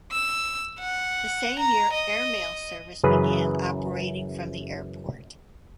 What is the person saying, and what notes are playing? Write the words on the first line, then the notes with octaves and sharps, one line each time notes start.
The same year airmail service began operating from the airport.
E6
F#5
A#5
D#5
F#2 C#3 E3 G#4 B4